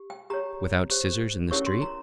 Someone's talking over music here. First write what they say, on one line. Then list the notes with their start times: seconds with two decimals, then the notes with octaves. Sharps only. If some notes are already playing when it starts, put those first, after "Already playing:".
"Without scissors, in the street?"
Already playing: G4
0.10 G5
0.30 G4 C#5 A#5
0.90 G4 C5
1.51 C#4 E4 G4 A#4 C#5 C#6
1.66 C6
1.81 A#5